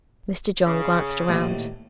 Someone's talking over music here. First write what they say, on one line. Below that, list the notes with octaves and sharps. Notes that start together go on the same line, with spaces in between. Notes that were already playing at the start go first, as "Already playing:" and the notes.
Mr. John glanced round.
C#3
A#1 D#2 A2